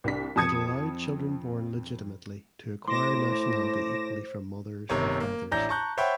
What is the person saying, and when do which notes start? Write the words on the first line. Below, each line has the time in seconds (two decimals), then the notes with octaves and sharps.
It allowed children born legitimately to acquire nationality equally from mothers or fathers.
0.04 C2 D4 B6
0.36 F2 A5 D#6 G#6 C#7
2.88 A2 C5 C6 D6 A#6 E7
4.89 G1 C3 D#3 C#5 A#5
5.20 A#3
5.51 A1 D4 E4 A#5 G6 A#6
5.69 A5 A#5 C#6 F#6 G6
5.97 C5 C#5 E5 F#5 G5 B5